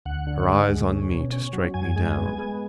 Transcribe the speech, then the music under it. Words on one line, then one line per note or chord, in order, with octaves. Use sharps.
Her eyes on me to strike me down.
D2 F#5
D3
G#3
D2
C#4
B2
C#4
F#3
F#2 G#5
G#3
B3
G#3